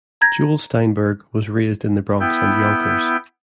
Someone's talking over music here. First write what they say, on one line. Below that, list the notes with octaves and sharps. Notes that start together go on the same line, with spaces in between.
Joel Steinberg was raised in the Bronx and Yonkers.
A#5 G6 G#6 A#6
B3 E4 G5